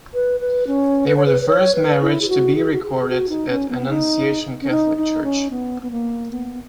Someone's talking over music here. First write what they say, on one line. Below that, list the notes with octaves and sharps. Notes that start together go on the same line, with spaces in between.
They were the first marriage to be recorded at Annunciation Catholic Church.
B4
B4
C#4
B4
C#5
B4
B4
C#5
B4
E4
G#4
F#4
G#4
F#4
G#4
G#4
F#4
D#4
C#4
B3
D#4
C#4
D#4
D#4
C#4
B3
B3
A#3
B3